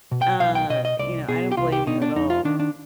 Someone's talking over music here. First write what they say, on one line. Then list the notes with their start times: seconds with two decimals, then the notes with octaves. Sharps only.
uh you know, I don't blame you at all.
0.11 B2
0.22 G5
0.40 B1 F5
0.55 G5
0.70 B2 D#5
0.85 D#5
0.99 C2 D5
1.28 B2 G#4
1.52 G4
1.57 C2 F4
1.72 G4
1.87 B2 D#4
2.02 D4
2.15 F2 D#4
2.30 F4
2.45 D#3 D4
2.60 D4